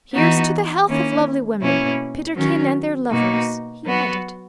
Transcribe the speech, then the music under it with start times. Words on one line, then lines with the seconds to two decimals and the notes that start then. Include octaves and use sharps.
"Here's to the health of lovely women, Peterkin--and their lovers!" he added.
0.13 E3 B3 D#4 F#4
0.88 D#3 A#3 C#4 E4
1.61 B2 A#3 C#4 E4
2.36 D#3 F#3 C#4
3.10 B2 A#3 D#4 F#4
3.84 F#3 B3 F#4